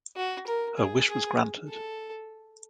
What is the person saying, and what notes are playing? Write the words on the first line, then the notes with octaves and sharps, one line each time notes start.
Her wish was granted.
F#4
A#4
G#4
G#4
A4